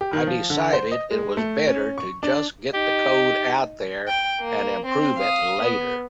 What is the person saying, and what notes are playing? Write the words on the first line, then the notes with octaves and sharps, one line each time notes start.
I decided it was better to just get the code out there and improve it later.
G4
D#3
F3
D3
C5
D#5
G#3
A3
C#4
C#6
D4
D#4 G4
G5
A#3
C4
F5 D#6
B3